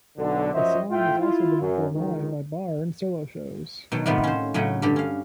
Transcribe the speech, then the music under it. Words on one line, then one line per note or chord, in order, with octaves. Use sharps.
The song has also been performed live by Barre in solo shows.
B1 D3
F#2 F3 F#3 C5 D#5 E5
A2 F4 E5 G5
E4 F4
F#2
C#2 D#3
B2 D#3 F#3
A2 C3 D#3 G3 B3 F4
C#4 C5
A2 C#3 F#3 C#5 D#5
G2 D3 G4
C#4 F5